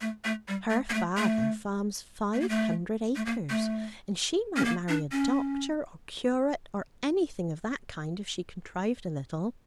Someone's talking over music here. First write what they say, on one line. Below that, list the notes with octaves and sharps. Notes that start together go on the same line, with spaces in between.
"Her father farms five hundred acres, and she might marry a doctor or curate or anything of that kind if she contrived a little."
A3
A3
G3
A3
A#3
A3
A3
A3
A#3
A3
A3
A#3
A3
C#4
A#3
D4
C#4